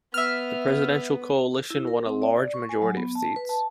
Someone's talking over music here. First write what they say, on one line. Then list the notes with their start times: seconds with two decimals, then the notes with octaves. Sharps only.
The presidential coalition won a large majority of seats.
0.14 B3 E5 F6
1.70 E4
1.87 A#4
2.06 C4
2.22 D5
2.54 C#6
2.69 G#5
2.82 F#3
2.97 B3
3.15 A5
3.36 B4
3.49 A5